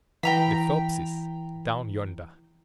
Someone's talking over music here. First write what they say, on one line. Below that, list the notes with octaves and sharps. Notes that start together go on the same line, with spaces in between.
"The Phelpses, down yonder."
E3 G5 A#5 B5